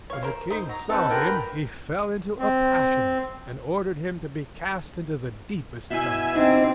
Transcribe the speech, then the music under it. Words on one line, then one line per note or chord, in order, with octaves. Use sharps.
When the king saw him he fell into a passion, and ordered him to be cast into the deepest dungeon.
C#5 F5
A#4 C5
D#4 C5
F#3 A#5
C4 D#4 A4 B4
D3 F3 A#3 A#4 B4 G5
C4
B2 E4 E5 G#5
C4 D4 D#4